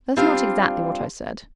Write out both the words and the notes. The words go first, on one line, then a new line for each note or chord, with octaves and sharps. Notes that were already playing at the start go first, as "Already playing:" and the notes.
"That's not exactly what I said."
G3 C4 D4 F4 F5